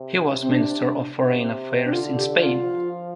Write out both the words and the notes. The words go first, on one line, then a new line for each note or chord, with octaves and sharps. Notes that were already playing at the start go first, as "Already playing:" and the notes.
He was minister of Foreign Affairs in Spain.
Already playing: C3
C4
D4
C3
D4
D3 F4
G4
F4
F3